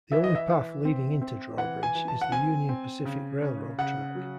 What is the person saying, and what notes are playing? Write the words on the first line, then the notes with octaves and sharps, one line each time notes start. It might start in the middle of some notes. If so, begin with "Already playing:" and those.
The only path leading into Drawbridge is the Union Pacific Railroad track.
E3 E5
D#5
E5
E3
C4
C4
E3 F#5
G#5
E3
A5
F#5
C4 G#5
C4
C#3
C#4
C#3 F#5
F#3